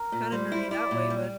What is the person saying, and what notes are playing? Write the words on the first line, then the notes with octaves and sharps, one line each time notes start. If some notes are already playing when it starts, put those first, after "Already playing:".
kinda nerdy that way, but
Already playing: A#4
A#2
G3 C5
E4
E4 D5
A#2
G3